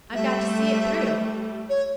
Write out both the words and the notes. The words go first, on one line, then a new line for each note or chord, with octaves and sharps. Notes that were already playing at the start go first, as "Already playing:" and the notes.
I've got to see it through.
G3 A3 E5
C#5